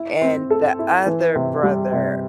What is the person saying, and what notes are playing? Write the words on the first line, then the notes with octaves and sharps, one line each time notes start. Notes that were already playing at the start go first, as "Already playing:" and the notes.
and the other brother,
Already playing: E4
C4
A4
E4
E3
C3
G3
C3